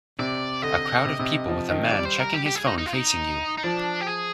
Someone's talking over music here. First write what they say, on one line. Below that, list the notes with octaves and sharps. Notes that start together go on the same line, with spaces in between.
A crowd of people, with a man checking his phone facing you.
C3 D5
D3 D#5
C3
C3
F3
D#3
C5
G3 D5
C5
A#4
G4
G4
G#4
D#4
D#4
F4
D#4
D#4
F3 D4
G4
G#4